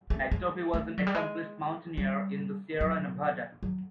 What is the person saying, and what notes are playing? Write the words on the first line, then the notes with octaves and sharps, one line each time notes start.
McDuffie was an accomplished mountaineer in the Sierra Nevada.
A3
G#3
A3
F#3
G3
G#3
G3
F#3
F#3